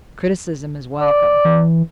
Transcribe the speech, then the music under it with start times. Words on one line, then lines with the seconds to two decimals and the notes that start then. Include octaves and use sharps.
Criticism is welcome.
1.01 D5
1.45 E3